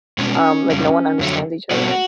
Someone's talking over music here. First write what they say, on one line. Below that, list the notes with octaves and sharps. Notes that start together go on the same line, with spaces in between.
um, like, no one understands each other?
B2 G#3 B3 C#4
F2 C#3 G3
F2 D3 F#3 A3
B2 G3 B3 F#4